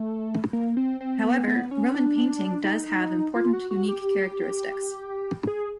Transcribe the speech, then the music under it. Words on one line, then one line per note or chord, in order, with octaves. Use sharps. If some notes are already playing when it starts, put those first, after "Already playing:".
However, Roman painting does have important unique characteristics.
Already playing: A3
A#3
C4
C4
B3
B3
C#4
D4
D#4
F4
F#4
F#4
G4
G#4